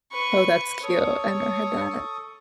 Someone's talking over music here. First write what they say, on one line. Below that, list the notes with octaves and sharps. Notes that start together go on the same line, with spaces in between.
Oh, that's cute. I never heard that.
B4 C#6
A4 C#5 C#6 D#6